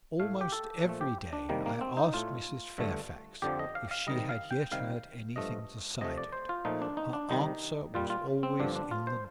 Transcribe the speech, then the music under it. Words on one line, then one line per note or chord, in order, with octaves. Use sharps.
Almost every day I asked Mrs. Fairfax if she had yet heard anything decided: her answer was always in the negative.
A2 A3 F5
G4
A4
A#2 F3 A3
G4
D4
C3 D#3 G3 A#3
A#3
C4
D#4
A2 A3 F4
G2 D3 A3
F2 D3 F3 G4
D#5
F5
F5
C3 D#3 G3 D#5
F5
G5
C3 D#3 G3 F5
G2 F3 A3 D#5
C3 F3 A3 D#5
D5
C5
F4
A#2 F3 A3 D#4
D4
D#4
D4
C3 D#3 G3 D#4
A#2 G3 F4
F4
C4
G2 D3 F3 D4
D4
F4
C5